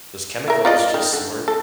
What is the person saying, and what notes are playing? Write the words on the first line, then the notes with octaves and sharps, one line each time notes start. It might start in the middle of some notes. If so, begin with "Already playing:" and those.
those chemicals just weren't
E4 A#4
F4 D5 D#5
D#3
D3
A4